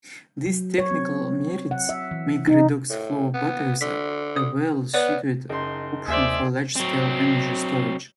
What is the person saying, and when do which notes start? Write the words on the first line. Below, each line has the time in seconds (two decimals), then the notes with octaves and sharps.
These technical merits make redox flow batteries a well-suited option for large-scale energy storage.
0.45 F#3
0.78 C#5
0.91 C4
1.71 F#5
1.89 E5
2.11 E3
2.47 D#4
2.90 A2
3.34 B3
3.81 D3 B6
4.36 D#6
4.94 B3 B4 C#5 D5
5.49 F#1 D#4 C6
6.08 D#2 G#4 C5 D5 E5
6.76 F#3 C4